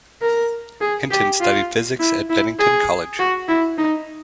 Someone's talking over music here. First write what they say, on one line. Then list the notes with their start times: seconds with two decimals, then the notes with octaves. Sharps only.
Hinton studied physics at Bennington College.
0.22 A#4
0.81 G#4
1.11 G4
1.40 F4
1.99 E4
2.29 E4
2.59 G#4
3.19 F#4
3.48 E4
3.77 D#4